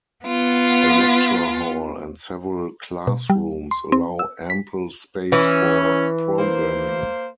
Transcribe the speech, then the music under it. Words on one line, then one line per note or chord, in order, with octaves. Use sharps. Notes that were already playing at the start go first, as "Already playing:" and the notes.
A lecture hall and several classrooms allow ample space for programming.
B3 F4
B2
G3
C6
C4
E6
B6
E3 C#4
A#3 C5